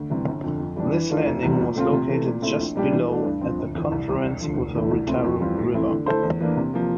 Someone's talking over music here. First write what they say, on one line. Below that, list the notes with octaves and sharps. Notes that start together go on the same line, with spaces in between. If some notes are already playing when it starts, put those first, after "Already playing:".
This landing was located just below at the confluence with the Retaruke River.
Already playing: D2
C3 E3 G3
G1
F2 D3
F2
E3 G3 D4
E3
A3 D4 F4
F1
E2 C3 G3
A#2
A3 C4 F4
C3
E3 A3
A#2
A3 C4 E4
A#1
A#2 G3 D4 G4
E3
A3 D4
G2
F3 C4
G1
F2 E3
C2
C3 G3 C4
E1
D2 D3 F3
F1
E2 D3 A3 E4
C2
A#2 A3 C4 E4
F2
E3 G3 C4 F4
A2
E3 A3 C4 E4
D3
A3 E4 A4 C5
E2
E3 A#3 D4
C3
F3 A#3